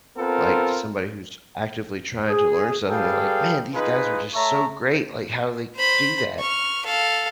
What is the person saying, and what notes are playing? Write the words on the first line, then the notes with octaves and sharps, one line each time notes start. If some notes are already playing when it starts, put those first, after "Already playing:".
like, to somebody who's actively trying to learn something, like, "Man, these guys are just so great, like, how do they do that?"
B3 C4 F4 A4 A#4
G#4
G3 G#4 A4 B4 F5 G5
D#4 F4 G#4 B4
A3 C#5 E5 A5 A#5 C#6
C5 B5
C#6 F6
A4 F5